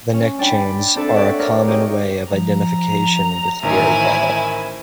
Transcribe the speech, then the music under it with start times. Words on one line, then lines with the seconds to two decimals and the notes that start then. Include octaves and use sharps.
The neck chains are a common way of identification with dairy cattle.
0.13 C#4
0.39 D4 D5 G5 B5
0.96 C4 D4 A4 E5
1.14 C#5 D5 E5 F#5
1.39 C4 A#4
1.67 D#4 G4 G#4 C#5
2.32 F3 A#5
3.63 A1 D#3 E4 C5 G#5